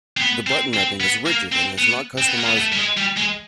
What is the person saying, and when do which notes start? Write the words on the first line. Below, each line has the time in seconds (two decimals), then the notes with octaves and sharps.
The button mapping is rigid and is not customizable.
0.17 C4
0.21 B3
0.47 C4
0.74 C4
1.00 B3
1.26 A#3
1.53 C4
1.79 B3
2.18 C4
2.28 B3
2.37 A#3
2.47 B3
2.57 A3
2.72 G3
2.77 G#3
2.97 G3
3.17 G#3